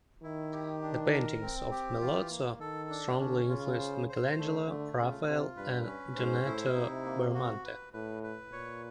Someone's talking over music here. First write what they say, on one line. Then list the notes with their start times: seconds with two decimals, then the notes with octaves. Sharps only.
The paintings of Melozzo strongly influenced Michelangelo, Raphael and Donato Bramante.
0.23 D#3 E4
0.53 G4
0.82 D4
1.12 A#4
1.41 C4
1.71 G4
2.01 E3 F4
2.30 A#3
2.60 D#3 A4
2.89 D4
3.19 D3 C#4
3.49 C#3 F4
3.79 C5
4.09 C5
4.38 D3 A3
4.67 D3 A3
4.97 C#3 F4
5.27 C3 F4
5.56 G2 B4
5.86 C#4
6.15 G#2 C5
6.46 A2 E4
6.74 C3 D#4
7.04 A#3
7.34 F#4
7.64 B4
7.93 A2 B4
8.23 B4
8.52 A#2 C#5